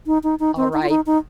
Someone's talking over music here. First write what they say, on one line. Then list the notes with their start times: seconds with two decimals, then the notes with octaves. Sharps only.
All right.
0.07 D#4
0.23 D#4
0.40 D#4
0.57 C4
0.73 D#4
0.82 F4
0.89 D#4
1.06 D#4